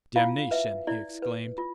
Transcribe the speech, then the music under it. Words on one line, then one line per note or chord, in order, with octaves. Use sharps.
"Damnation!" he exclaimed.
E4 F4 F5
B4 E5
E4 D5
B4
F4